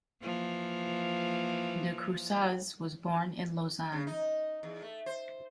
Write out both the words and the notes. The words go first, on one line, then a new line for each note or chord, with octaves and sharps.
De Crousaz was born in Lausanne.
E3 F3 A#3
C#3
D#4
E2
A3
C5